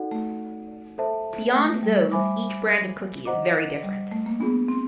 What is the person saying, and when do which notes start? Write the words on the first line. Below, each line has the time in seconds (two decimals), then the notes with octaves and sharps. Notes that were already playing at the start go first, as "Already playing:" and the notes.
Beyond those, each brand of cookie is very different.
Already playing: D#4 F#4 A4 D5 F#5
0.11 A3
0.98 A4 C5 E5 A5
1.55 A3
1.62 G#3
1.70 A3
1.83 G3
2.11 G3 C5 E5 G#5 B5 D6
3.25 C5 D#5 F#5 A#5 D6
3.83 G3
4.11 A3
4.26 A#3
4.40 B3 D4 F4 G#4
4.68 C4